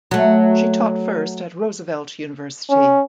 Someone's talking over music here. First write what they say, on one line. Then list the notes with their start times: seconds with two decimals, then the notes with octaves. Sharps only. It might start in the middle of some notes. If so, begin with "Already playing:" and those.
She taught first at Roosevelt University.
0.11 F#3 A3
2.70 C#4